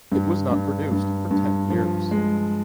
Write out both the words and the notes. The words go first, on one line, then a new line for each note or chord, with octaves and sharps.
It was not produced for ten years.
G2
G2
G2
G2
F3
G#3